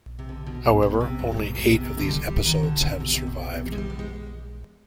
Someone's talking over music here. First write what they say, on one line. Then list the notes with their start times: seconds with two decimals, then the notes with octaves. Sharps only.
However, only eight of these episodes have survived.
0.19 C3
0.29 D3
0.46 B2
0.65 G#2
0.83 B2
1.01 C3
1.19 G2
1.32 B2
1.37 G#2
1.55 B2
1.73 C3
1.85 C3
1.97 D3
2.09 G3
2.27 G3
2.45 D#3
2.63 D3
2.81 C3
3.00 B2
3.13 C3
3.27 B2
3.54 C3
3.66 G3
3.72 G#3
3.78 G3
3.90 B3
3.99 G#3